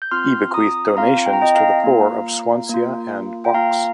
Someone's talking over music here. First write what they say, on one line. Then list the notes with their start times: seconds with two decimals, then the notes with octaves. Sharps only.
He bequeathed donations to the poor of Swansea and Box.
0.02 G6
0.11 C4 F4 C6 F6
0.54 A#5 D#6
0.97 C4 F4 F5 A#5
1.26 G5
1.33 A#5
1.41 D#5 G5
1.55 F5 A#5
1.84 A#3 F4
2.69 A#3 F4
3.45 G5
3.54 A#3 F4 F5 A#5